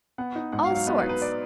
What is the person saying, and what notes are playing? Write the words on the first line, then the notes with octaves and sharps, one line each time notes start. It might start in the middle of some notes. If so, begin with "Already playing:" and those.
All sorts.
B3 F#5
D#4
G#2 F#5
F5
F#3
F5
B3 D#5
B4
D#4
B4
D5